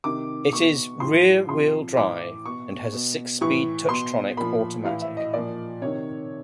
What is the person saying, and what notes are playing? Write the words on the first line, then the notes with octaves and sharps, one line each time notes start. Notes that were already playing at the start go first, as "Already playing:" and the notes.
It is rear-wheel drive and has a six-speed Touchtronic automatic.
C3 D#3 D6
B2 C#6
A2 F3 C6
C3 F3 C6
A2 E3 D6
B2 C#6
B2
A2 E3 C#6
B2 C6
A#2 F3 B5
A2 E3 F5
E5
D#5
A#2 F3 D5
C3 D#3 C#5